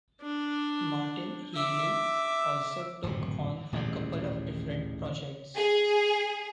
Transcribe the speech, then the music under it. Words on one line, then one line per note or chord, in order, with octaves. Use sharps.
Martin Healy also took on a couple of different projects.
D4
E5 D6
D1 G#1 F2 B2
D#1 A1 D#2 G#2
G#4